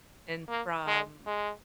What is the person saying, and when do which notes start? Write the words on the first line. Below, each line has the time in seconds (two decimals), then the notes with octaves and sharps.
And from
0.49 A#3
0.87 G#3
1.26 G#3